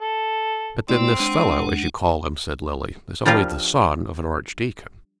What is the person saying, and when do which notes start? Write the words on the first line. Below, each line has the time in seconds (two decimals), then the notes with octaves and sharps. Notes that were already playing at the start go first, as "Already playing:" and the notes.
"But then this fellow, as you call him," said Lily, "is only the son of an archdeacon."
0.01 A4
0.89 A3 C4 E4 D5
1.20 G#3 D4 F#5
3.26 F3 G3 D4 F4 A#4